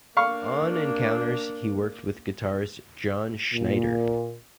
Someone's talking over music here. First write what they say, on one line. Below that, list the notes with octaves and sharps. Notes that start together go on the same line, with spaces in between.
On Encounters he worked with guitarist John Schneider.
A#3 D4 F5 C#6
A#2